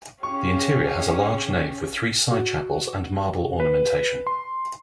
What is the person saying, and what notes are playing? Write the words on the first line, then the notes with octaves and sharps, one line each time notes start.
The interior has a large nave with three side chapels and marble ornamentation.
C#4 G4 G#4 C#5 F5 C#6
F#4
B4
C6